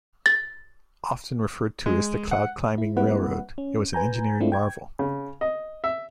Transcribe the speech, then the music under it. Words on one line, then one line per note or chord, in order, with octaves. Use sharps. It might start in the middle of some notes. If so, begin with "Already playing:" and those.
Often referred to as the "Cloud Climbing Railroad" it was an engineering marvel.
A6
G#3
F#5
E4
G3 A#3 C4 E4 B4 F#5
C#4
B4 G#5 A#5 G6
G#3 A3 C4 D4 E4 F4
G5 G#6
C#3
D#5
E5